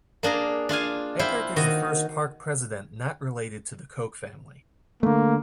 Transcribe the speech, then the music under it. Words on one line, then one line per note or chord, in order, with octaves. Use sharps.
Eckert is the first park President not related to the Koch family.
A#3 D4 G#4 A#5
D4 F4 F5 G#5
E4 F4 C5 G5
D#3 F#4 D#5
D3 A3 A#3